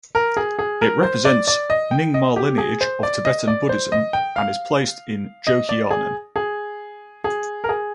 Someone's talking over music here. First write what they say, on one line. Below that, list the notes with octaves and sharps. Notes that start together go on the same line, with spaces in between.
It represents Nyingma lineage of Tibetan Buddhism and is placed in Jokioinen.
A#4
G#4
G#4
A#4
C5
D5
D5
D#5
G5
D#5
G4
G#4
C5
D5
D#5
D5
C5
D#5
G5
F5
D#5
D5
G#4
G#4
G#4
A#4
G#4